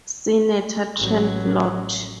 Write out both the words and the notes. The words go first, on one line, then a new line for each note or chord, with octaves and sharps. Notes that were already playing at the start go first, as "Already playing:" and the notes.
Senator Trent Lott.
A1 F#3